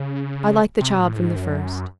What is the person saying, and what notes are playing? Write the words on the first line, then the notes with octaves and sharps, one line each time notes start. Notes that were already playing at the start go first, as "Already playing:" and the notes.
I liked the child from the first.
Already playing: C#3
C3
A2
G#2
F#2